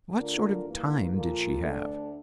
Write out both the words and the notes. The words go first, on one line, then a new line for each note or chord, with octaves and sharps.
What sort of time did she have?
D3 A3 D4 F4 A#4
G2 E3 A#3
A#2 F3 A#3 F4 A4
D2 D3 A3 D4 A4